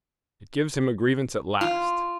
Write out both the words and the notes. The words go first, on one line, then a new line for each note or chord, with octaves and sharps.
It gives him a grievance at last.
F4